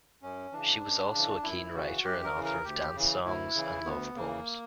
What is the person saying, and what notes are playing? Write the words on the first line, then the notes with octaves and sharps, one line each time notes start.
She was also a keen writer and author of dance songs and love poems.
F#2 C#4
C#3 E3 D4
F#2
C#3 E3
F#2 E4
C#3 E3 F#4
F#2 G4
A#4
C#3 E3
A#4
D2 G4
C#3 E3
D2 E4
C#3 E3
D2 B3
C#3 E3 A#3